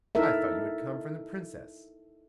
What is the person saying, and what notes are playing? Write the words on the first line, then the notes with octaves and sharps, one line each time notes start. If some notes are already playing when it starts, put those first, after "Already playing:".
'I thought you had come from the Princess.
D#4 E4 A4 A#4 E5